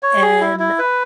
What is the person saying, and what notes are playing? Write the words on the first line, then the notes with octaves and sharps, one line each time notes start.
And m
C#5
G#4
E4
E4
B4